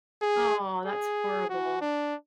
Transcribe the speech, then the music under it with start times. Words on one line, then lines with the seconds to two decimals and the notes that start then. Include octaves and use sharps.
Aw, that's horrible.
0.22 G#4
0.86 G#4
1.50 F#4
1.81 D4